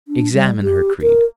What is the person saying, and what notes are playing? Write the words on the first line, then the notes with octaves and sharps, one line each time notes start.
Examine her creed.
D4
G3
G4
A#4